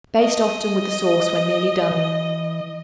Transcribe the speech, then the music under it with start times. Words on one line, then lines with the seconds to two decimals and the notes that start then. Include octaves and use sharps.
Baste often with the sauce when nearly done.
0.19 D#5
1.92 E3